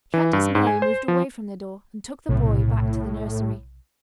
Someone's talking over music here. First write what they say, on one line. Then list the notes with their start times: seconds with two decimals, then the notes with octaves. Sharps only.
Countess Mary moved away from the door and took the boy back to the nursery.
0.14 E3
0.33 G2
0.55 G#2
0.67 G#5
0.82 C5
1.08 F3
2.29 B1 A2 C3